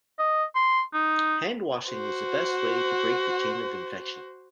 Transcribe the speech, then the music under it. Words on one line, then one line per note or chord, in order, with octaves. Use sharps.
Hand washing is the best way to break the chain of infection.
D#5
C6
D#4
F#4 C5